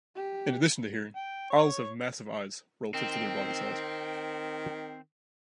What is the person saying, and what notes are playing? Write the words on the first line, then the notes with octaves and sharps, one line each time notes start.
In addition to hearing, owls have massive eyes relative to their body size.
G4
G5
C#5
D#3 C4